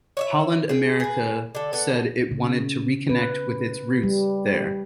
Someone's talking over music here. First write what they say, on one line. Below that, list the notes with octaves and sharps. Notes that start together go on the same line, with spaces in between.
Holland America said it wanted to reconnect with its roots there.
C#5 D5 E5
G#4 G5
G#4 B4
D3 A4
B3 A4
C#3
B4
G3